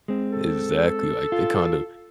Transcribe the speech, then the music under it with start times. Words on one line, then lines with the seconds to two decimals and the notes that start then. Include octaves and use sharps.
Exactly, like, they kinda
0.08 G#3 C4
0.32 A4
1.32 F4